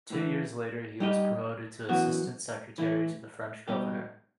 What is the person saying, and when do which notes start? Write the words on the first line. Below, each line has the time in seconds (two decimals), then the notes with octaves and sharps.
Two years later he was promoted to assistant secretary to the French governor.
0.10 A2 E3 A3
1.00 G3 D#4 G4 D#5
1.89 F#2 E3 B3 F#4
2.78 E3 A3 E4
3.68 B2 G3 D#4 G4